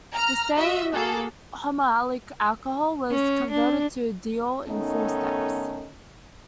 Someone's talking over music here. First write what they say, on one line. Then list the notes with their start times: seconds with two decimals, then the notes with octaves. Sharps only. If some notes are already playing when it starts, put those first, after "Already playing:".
The same homoallylic alcohol was converted to diol in four steps.
0.13 A#5 F6
0.56 F#4 D#5 E5
0.94 A#3 F#4 G#4 A4
3.11 C#4
3.51 D4
4.66 D#3 A3 B3 C#4 D#4 A4